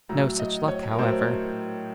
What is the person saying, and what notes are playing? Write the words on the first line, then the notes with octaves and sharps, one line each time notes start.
No such luck, however.
A2 F#3 A#5
D#5
C#5
A#4
A2 F#3 C5